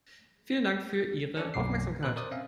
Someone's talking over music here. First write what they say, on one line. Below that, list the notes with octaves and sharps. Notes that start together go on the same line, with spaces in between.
Vielen Dank für Ihre Aufmerksamkeit!
C#4 D4 A4 C#5 D5
B1 F#2 B2 D6 C7
A#2 B4 F#6
A#4 C5 D5 D#6
C4 C#4 E5 F5